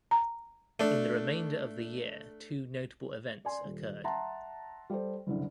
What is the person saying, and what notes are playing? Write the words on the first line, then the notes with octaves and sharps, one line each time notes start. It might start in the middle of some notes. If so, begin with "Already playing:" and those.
In the remainder of the year two notable events occurred.
A#5
A3 D4
D5 G#5 C6
D#1
E5 F#5 A5 A#5 C6
G3 A4 C5
F#1 C2 D3